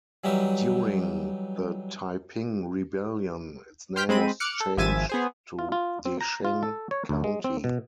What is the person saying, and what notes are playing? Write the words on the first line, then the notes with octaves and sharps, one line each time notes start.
During the Taiping Rebellion its name was changed to DeSheng county.
E3 F#3 G3 D#4 E5
C5 G5 F6 G6 B6
G#3 C4 B5 D#7
D6 F6 F#6 C#7
A4
G#1 F3 E5 G#5 A6 D#7
B3 G#4 C5
F4
F4
C4
A#5
F4
A4
C#5
D2
G#3
C4
B2